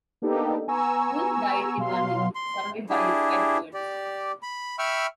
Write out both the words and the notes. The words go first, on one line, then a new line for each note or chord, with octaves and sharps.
Wolf died in London, surrounded by his pet birds.
A#3 B3 D4 D#4 G4 A4
B3 G#5 A#5 C#6 E6
B2 F#3 F5 C6
C6
D4 E4 G4 G#4
G4 D5
B5
E5 G5 B5 C#6 E6 F6